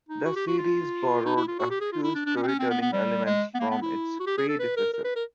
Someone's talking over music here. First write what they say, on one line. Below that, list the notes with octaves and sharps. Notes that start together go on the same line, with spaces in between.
The series borrowed a few storytelling elements from its predecessor.
D#4
F#4
G4
F#4
F4
D#4
E4
F4
F#4
G4
G#4
F4
E4
D4
D4
C#4
C4
C#4
C4
B3
B3
G3
G#3
B3
A#3
B3
E4
F#4
G4
G#4
A4
B4
A#4
A#4
B4
A#4